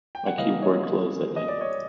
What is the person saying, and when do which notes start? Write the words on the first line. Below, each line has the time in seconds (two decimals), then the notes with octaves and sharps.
My keyboard glows at night.
0.15 G5
0.26 F#5
0.38 E3 G3 A#3 D#5 F5
0.62 C#5 D#5
1.36 D#5
1.48 D5
1.61 C#5 D#5